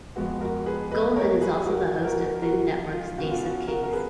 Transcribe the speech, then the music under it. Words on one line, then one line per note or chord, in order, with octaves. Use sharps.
Goldman is also the host of Food Network's Ace of Cakes.
F2 F3 G#3 B3 F#4
F#4 A#4
G#4 B4
B4 D#5
A#4 C#5
G#4 B4
F#4 A#4
F#4 A#4
F#4 A#4
F4
C#3 F3 B3 F#4
F4
F#4
F#4 A#4
A#4
G#4 B4